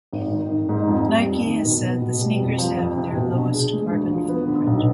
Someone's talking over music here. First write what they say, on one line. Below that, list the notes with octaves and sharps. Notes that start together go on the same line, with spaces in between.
Nike has said the sneakers have their lowest carbon footprint.
G#1
D#3
G#1
G#2
F2
G3
F2
D#3
B2
B3
B2
G3
F2
F3
F2
C3
B2
D4
G#4
G#3
D2
F3
B3
D3
B1